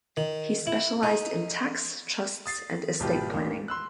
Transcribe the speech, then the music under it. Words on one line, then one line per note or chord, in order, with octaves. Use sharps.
He specialised in tax, trusts, and estate planning.
D#3
E4
D#4
D#6 A6 C7
G#1 B2 F4 G4 B4
A1 D#3 A#3
C6 E6 F#6